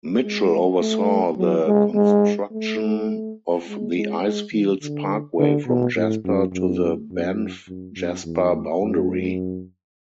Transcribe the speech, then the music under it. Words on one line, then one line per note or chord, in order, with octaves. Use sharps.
Mitchell oversaw the construction of the Icefields Parkway from Jasper to the Banff-Jasper boundary.
G#3
A3
F#3
G#3
G#3
A3
G#3
G#3
G#3
E3
D3
D3
B2
A2
F#2
F#2
F#2
F#2
F#2
E2
F#2